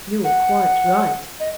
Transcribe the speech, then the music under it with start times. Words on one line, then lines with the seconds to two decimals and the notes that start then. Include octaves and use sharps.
'You are quite right.
0.24 F#5
1.40 D#5